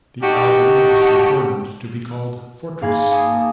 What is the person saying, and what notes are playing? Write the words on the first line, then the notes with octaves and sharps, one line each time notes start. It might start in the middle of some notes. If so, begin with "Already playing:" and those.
The album was confirmed to be called "Fortress".
D4 D#4 F#4 G4
G#2 A#3 F5 G#5 B5 G#6
F5 G#5 A5 D#6
A#3 D#6